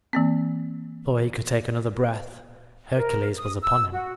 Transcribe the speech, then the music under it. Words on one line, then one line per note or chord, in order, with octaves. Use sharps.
Before he could take another breath, Hercules was upon him.
E3 A#3 C4
A#4
D#6
E6
F#4